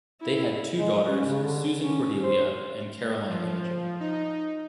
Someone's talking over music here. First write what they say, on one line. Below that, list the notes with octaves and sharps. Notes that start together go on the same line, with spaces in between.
They had two daughters Susan Cordelia and Caroline Imogen.
E4
G#3
C#4
C#3
D3
C#4
C5
F3
D#4